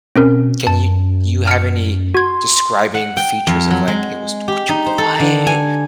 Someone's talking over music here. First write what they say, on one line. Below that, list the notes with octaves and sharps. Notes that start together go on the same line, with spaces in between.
Can you you have any describing features of, like, it was t q too quiet
B2 C4 C#4 A#4
F#2 A5
F6 C#7
F#4 C6 G#6
F#5
G5
F2
F#3
G#3
G4
D#4
C5
A4
D3
G#5